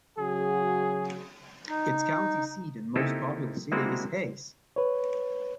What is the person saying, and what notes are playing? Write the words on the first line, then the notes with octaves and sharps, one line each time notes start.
Its county seat and most populous city is Hays.
C#3 F#3 F#4 G#4
D#4
A#3 C4 D#4 E4 G4 A4
G3 G#3 A#3 C4 E4 F#4
B4 C#5